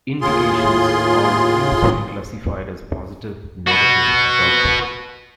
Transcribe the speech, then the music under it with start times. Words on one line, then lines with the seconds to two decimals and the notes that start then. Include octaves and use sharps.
Indications are usually classified as positive, negative, or doubtful.
0.21 D#2 A2 F4 G#4 C6
3.67 F#4 B4